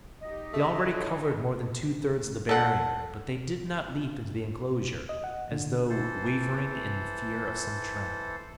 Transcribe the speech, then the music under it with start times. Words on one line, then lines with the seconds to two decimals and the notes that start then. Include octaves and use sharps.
They already covered more than two-thirds of the barrier, but they did not leap into the enclosure, as though wavering in the fear of some trap.
0.21 D#4 G4 D#5
0.53 A3
0.97 D#4 A4 C#5
2.49 A4 F#5
5.09 D#5
5.24 F#5
5.52 D3
5.89 E3 A4 C5